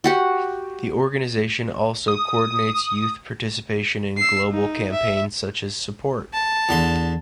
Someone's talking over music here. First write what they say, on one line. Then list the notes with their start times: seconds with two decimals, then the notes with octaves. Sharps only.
The organization also coordinates youth participation in global campaigns such as Support.
0.04 F#4 G4 F#5
2.08 D#6
4.17 E6 C7
4.51 D#4
4.92 E5
6.33 A5
6.69 E2 D3 C6